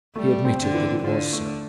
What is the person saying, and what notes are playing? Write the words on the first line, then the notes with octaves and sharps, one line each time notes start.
He admitted that it was so.
G3 A3
C4
D3
E3
D3 F4
A3